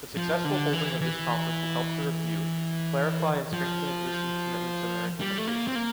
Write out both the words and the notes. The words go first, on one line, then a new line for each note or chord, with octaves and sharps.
The successful holding of this Conference will help to review, clarify and strengthen existing commitments and their implementation.
F3
D3
E3
E3
F3
G3
A3
A#3
C4
A#3